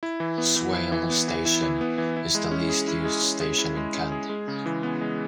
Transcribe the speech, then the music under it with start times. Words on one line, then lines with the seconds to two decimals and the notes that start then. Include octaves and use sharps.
Swale Station is the least used station in Kent.
0.03 E4
0.20 E3
0.38 B3
0.56 E3
0.73 E4
0.92 E3
1.10 B3
1.28 E3
1.45 E4
1.62 E3
1.81 B3
1.98 E3
2.16 E4
2.35 G#3
2.51 C#4
2.69 G#4
2.88 E4
3.05 G#3
3.23 C#4
3.41 G#4
3.58 E4
3.77 G#3
3.94 C#4
4.12 G#4
4.29 G#3
4.48 C#3
4.66 E3
4.83 B3
5.01 G#3